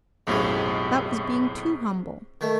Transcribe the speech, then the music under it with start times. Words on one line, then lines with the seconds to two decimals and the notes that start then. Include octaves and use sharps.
That was being too humble.
0.27 B1 F#2 A2 C3 G#3
2.41 D#3 A3